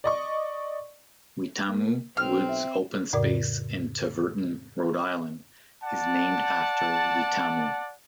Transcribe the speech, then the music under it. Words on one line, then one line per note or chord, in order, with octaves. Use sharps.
Weetamoo Woods Open Space in Tiverton, Rhode Island is named after Weetamoo.
D5 D#5 C#6
A#3
B1 C4 F6
E5
F2 A2 C#3 A#4 D5 D6
D5 F#5 A5